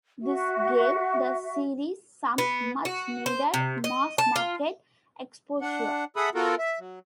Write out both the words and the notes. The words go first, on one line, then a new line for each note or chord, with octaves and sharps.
This gave the series some much-needed mass-market exposure.
F#4 E5
B3
F#4
C5
C3
D#5
A5
F4
D4 F#5
G#4 A4 E5 F#5 B5 D#6
B3 F4 F#4 A4 A#4
E5
F#3